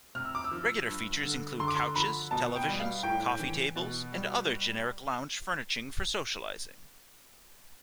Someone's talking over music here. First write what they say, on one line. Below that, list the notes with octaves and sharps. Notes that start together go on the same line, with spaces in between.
Regular features include couches, televisions, coffee tables, and other generic lounge furniture for socializing.
C3 F6
E6
D6
E6
F3
G2
D3
D3 C6
D6
C6
F3 B5
B2 A5
G5
G3
F5
A2 G5
E3
B2
G3